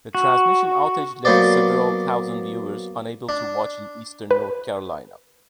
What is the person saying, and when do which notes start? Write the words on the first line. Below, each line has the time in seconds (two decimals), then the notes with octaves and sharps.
The transmission outage left several thousand viewers unable to watch in Eastern North Carolina.
0.15 F#4
1.25 F#3 A#3 B3 C5 D5
3.29 D4
4.31 B4